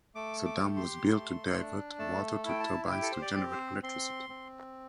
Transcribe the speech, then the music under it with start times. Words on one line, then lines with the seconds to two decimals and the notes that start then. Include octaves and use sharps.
The dam was built to divert water to turbines to generate electricity.
0.15 A3 D6
0.46 D6
0.61 G4
0.76 C6
1.07 A3
1.53 D4
1.99 A3 A5
2.45 E4 G5
2.60 A5
2.91 G4 G5
3.02 A4
3.12 C5
3.22 D5
3.37 C4
3.52 C5
3.83 C4 C6
4.29 C4